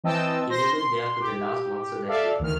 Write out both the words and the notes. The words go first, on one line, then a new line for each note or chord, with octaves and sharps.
He laboured there for the last months of that year.
E3 C4 D#5 G5 A5 E6
C5 C6 A#6
C6
G4
A4 D5 E5 F5
D2 D#3 F6